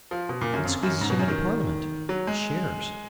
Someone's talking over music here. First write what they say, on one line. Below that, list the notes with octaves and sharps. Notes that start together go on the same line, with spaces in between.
What squeezes him into Parliament? Shares.
F3
B2
A#2
F#2
F2
F#2
G#2
B2
F#2
D#3
F#3
G#3